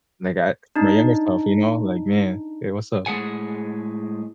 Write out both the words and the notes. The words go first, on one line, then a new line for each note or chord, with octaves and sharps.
they got my younger self, you know, like, "Man, hey. What's up?"
D4 D#4
A2 G#3 G#4 F#5 G#5